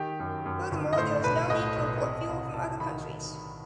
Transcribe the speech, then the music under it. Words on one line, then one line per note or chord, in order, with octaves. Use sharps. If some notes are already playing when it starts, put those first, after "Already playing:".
Furthermore, there is no need to import fuel from other countries.
Already playing: D#3 G4
F#2
F#2
G1
D#5
A2 C5
B1 B4
A2 D#5
B1
C3
C2
C2 A5
D#3 B5